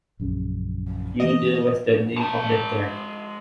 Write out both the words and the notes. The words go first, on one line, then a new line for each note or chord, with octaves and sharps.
Yoder was the name of the camp.
A#1 F#2 C#3
E3 A#3 D#5
G#3 A5